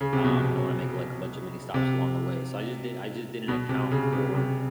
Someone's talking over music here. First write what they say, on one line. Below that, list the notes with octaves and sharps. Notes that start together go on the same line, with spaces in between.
Um, and I wanna make like a bunch of mini stops along the way. So I just did I just didn't account for
C#3
C3
B2
C3
C3
B2
C3
C#3
C3
C3